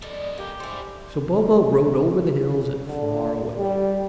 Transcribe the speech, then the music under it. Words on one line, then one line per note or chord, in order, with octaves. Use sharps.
So Bobo rode over the hills and far away.
G3 A3 D#5
A#3 G4
G3 E4 G#4 C5
D3
G3